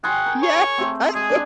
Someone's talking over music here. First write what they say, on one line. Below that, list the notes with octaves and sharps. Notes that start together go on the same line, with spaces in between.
Yes! I sw
F#4 G#4 G5 C6
A#4
C#5
A3 C4
G#3 G#4
D4